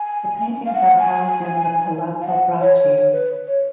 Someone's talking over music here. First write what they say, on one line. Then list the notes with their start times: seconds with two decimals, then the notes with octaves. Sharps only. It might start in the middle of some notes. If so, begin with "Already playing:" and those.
The paintings are housed in the Palazzo Braschi.
Already playing: G#5
0.66 F5
0.74 F#5
0.99 G#5
2.22 F5
2.27 F#5
2.61 C#5
2.78 C#5
2.96 C#5
3.12 B4
3.47 C#5